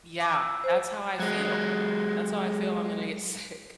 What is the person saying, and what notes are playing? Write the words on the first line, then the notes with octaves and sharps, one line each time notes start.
Yeah, that's how I feel. That's how I feel I'm gonna get sick.
D6
E6
C5
F#3 G#3